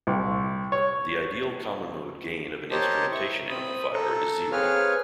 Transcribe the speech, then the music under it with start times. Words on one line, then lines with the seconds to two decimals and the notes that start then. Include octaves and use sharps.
The ideal common-mode gain of an instrumentation amplifier is zero.
0.07 C2
0.72 C#5
2.71 G4 A#4 C5 C#5 D#5 A5
3.11 E4 C#6
3.49 C4 B5 D#6
3.93 A4 A#5
4.52 C4 G#4 B4 C#5 F5 F6